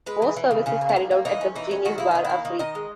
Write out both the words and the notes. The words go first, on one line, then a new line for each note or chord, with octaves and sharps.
Most services carried out at the Genius Bar are free.
G#3 B4
E3
E3
C#3
C#3 C#4
A#3
C#4
A#3
A#3
E3 D#4
C#4
E3 D#4
C#4
D#3 F#4
A#3 E4
D#3 D#4
E4
A#3
D#3
D#3 D#5
G#3